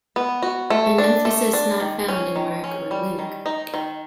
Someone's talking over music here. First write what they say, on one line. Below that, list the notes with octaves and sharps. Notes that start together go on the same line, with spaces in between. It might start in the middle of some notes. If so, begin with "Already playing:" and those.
An emphasis not found in Mark or Luke.
B3
F#4
A3
D4
A3
D4
D#3
C#4
D#3
C#4
G3
D#3
D#4
D#3